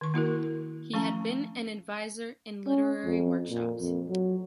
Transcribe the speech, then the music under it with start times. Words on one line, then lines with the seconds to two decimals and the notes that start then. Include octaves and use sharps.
He has been advisor in literary workshops.
0.01 D#3 C#6
0.14 A#3 E4 F#4 A#4
0.94 F3 A3 C#4 A#5
2.66 C#4
3.05 F2
3.50 A#2
3.80 F2
4.09 F#3